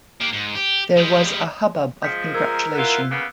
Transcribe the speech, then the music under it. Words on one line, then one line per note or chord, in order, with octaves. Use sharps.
There was a hubbub of congratulation.
A#3 G4
G#2
G4
G3 G#3
F3 G#3 G6 B6 C#7
A#4 E6 G#6
B3 E4 F4 F#6
C#3 A#3 B3